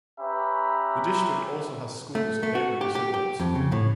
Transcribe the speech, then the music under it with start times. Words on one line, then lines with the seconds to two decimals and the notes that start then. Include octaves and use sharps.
The district also has schools in neighboring suburbs.
0.20 C#4 G4 B4 E5 A#5 B5
2.15 A3
2.43 A3
2.55 F#4
2.81 G4
2.95 G4
3.14 G4
3.40 F2
3.55 C#3
3.72 A2